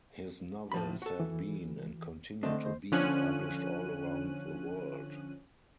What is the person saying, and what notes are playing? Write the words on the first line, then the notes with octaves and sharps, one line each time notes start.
His novels have been, and continue to be, published all around the world.
A2 F3 B5
F#4 A4
E3
D3 D#3 A3 C4 D4 D#5
C5
D3 F3 C#4 F#6 D#7